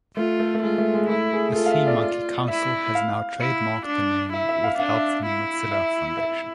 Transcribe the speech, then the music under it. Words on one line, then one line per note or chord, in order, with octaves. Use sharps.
The SeaMonkey Council has now trademarked the name with help from the Mozilla Foundation.
A3 F4
A3
A3
G#3 F4
A3
G#3
A3 E4
G#4
F4 A4
F5
E5
D5
E4 E5
F5
E4
D4
E4 E5
E5
F5
D4 F5
E5
E4
E5
E5